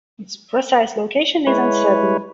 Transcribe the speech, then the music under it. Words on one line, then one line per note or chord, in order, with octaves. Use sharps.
Its precise location is uncertain.
G#3 E4 B4 C#5